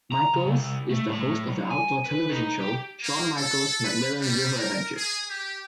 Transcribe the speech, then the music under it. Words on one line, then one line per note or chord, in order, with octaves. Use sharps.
Michaels is the host of the outdoor television show, "Shawn Michaels' MacMillan River Adventures".
A#5
C#3
C2
A3
A2
F#3
G#5
B4
D#4
G4
A#3
A4
B4
G3
A#4
G#4
G4